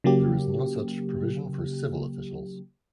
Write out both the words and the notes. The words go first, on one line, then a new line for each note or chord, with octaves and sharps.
There is no such provision for civil officials.
C#3 F#3 A#3 G4